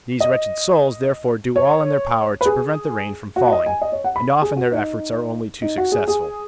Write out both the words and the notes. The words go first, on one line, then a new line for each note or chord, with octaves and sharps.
These wretched souls, therefore, do all in their power to prevent the rain from falling, and often their efforts are only too successful.
D#5
C#5
B4
G#4
F#4
F#5
D#5
G#5
D#5
C#5
F#5
B5
G#4
F#4
D#4
D#4
F#4
G#4
G#4